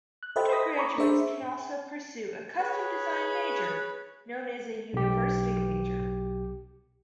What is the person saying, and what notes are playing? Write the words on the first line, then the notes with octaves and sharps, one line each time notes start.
Undergraduates can also pursue a custom-designed major, known as a University Major.
F#6
A4 C5 D#5 E5 G5 B5
B5 D#6 A#6 B6
A#5 B5 C#6 D6
D4 G#4 C5 E5
G#4 B4 C#5
B1 G4